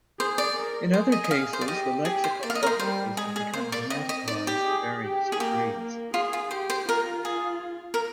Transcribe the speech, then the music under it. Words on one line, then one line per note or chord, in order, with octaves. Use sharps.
In other cases, the lexical suffixes have become grammaticalized to various degrees.
G#4 C5
D5
A#4
G#4 C5
D#5
D#5
G#4 F5
C5
D5
G4 D#5
G4 G#4
C5
A#3 D5
F5
D#5
A#4
C5
G3 C5
G#3 G#4
G#4
A#3 C5
D5
C4 D#5
D#5
D#4 D5
G4
G#4
G4
G#4
A#3 G4
A#3
F4 G#4
F4
G4 C5
C5
F4 A#4
G#4
A#4